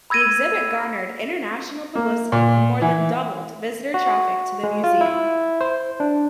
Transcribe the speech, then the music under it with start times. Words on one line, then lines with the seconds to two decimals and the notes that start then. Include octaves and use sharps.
The exhibit garnered international publicity and more than doubled visitor traffic to the museum.
0.10 B5 E6 G#6 A#6 D#7
1.95 A#3
2.32 A#2
2.82 E3
3.94 F#4
4.64 G#3
4.84 F4
5.01 E4
5.61 C5
6.00 D4